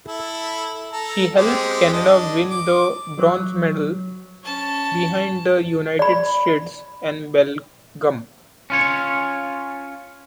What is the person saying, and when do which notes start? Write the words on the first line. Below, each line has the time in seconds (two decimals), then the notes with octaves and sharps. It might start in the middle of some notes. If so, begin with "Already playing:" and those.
She helped Canada win the bronze medal behind the United States and Belgium.
0.07 E4 A4
0.93 A4 A#5
1.37 G#3 C4 G4
1.93 D4 D5 D#5
2.50 D6
3.18 F#3
4.44 C#4 A5
5.99 D5 B5
8.70 C#4 F4 C#5